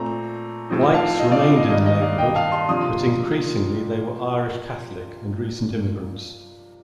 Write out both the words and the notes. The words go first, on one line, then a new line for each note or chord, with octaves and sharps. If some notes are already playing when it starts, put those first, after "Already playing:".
Whites remained in the neighborhood, but increasingly they were Irish Catholic and recent immigrants.
Already playing: A#2 A3 C4 A#5
A2 F3 C4 D#4
F5 A5
D#5
D5 F5
D#5
G2 D#3 A#3 D#5
D#5
D5 F5
D#5 G5
F5 A5
A5 C6
C3 F3 A#3 D4 C6 D#6